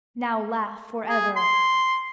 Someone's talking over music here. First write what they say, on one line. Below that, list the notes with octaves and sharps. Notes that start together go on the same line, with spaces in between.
"Now laugh for ever!"
G#4
C6